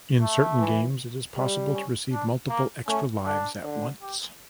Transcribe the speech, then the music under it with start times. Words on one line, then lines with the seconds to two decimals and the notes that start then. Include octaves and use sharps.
In certain games, it is possible to receive multiple extra lives at once.
0.22 A3
0.60 E3
1.36 G3
1.74 C#4
2.12 D4
2.50 A#3
2.88 A3 C#4
3.26 D3 D4
3.64 D3
4.02 G4